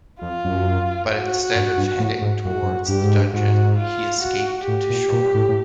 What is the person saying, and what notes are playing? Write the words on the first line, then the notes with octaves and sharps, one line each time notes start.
But instead of heading towards the dungeon, he escaped to shore.
F2 F4
F#2
F#4
G2
G2
A2
G#2
F#2 F#4
G2
F#2
G2 G4
G#2
G2
G#2 F#4
F4
F#4
A2 G4
A#2
A#2
A2
A2